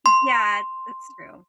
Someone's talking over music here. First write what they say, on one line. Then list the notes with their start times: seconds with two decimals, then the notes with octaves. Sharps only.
Yeah, that's true.
0.06 C6